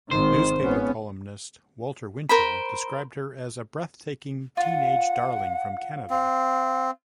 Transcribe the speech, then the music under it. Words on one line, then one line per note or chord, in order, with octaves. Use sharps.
Newspaper columnist Walter Winchell described her as a breathtaking teen-age darling from Canada.
G#1 D#3 C5
G#1 B3 C#4
A#4 C5 B5
F4 F#5
C4 F5